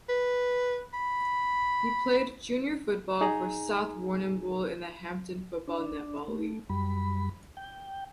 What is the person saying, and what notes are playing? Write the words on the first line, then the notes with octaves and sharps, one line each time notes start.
He played junior football for South Warrnambool in the Hampden Football Netball League.
B4
B5
D#4 G#4 G#5 A#5
D4
A3
F#2 G3 B5
G5